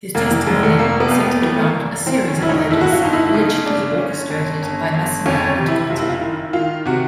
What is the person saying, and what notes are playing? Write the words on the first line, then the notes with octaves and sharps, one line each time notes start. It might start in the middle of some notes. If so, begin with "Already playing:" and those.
His testimony centered around a series of murders allegedly orchestrated by Massino and Gotti.
F1 A#3
E3
F1 G#3
A3
F1 A#3
B3
F2
B3
E3 B3
A3
A#3
F1
E3 C4
C#4
F1 E4
D#4
G1 E4
F#4
F4
G1 D#4
E4
E4
C#3 D#4
G1 D4
G1 C#4
G1
G1
G1
F2 C#4
C3
E4
F#1 F4
E4
F4
D#3 E4
D#3 F4
C3 F#4